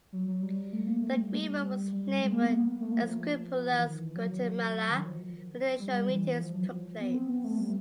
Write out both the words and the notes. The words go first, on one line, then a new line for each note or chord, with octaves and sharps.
The agreement was named for Esquipulas, Guatemala, where the initial meetings took place.
F#3
F#3
G3
A3
A#3
A3
G3
G3
G#3
A#3
B3
A#3
A3
A#3
F3
E3
D#3
E3
F#3
D#3
F3
G3
E3
F3
F#3
F3
B3
C4
B3
A3
G3